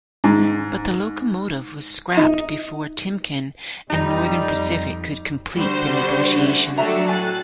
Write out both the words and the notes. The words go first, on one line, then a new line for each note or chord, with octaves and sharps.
But the locomotive was scrapped before Timken and Northern Pacific could complete their negotiations.
G#2
D#4
F2 G3 D#4
D3 G3 F#4 C5
B3
A3 C#4
F#3 G3 A3 D4 F#4 A4 E5 A#5
A2 G#5 F#6 A6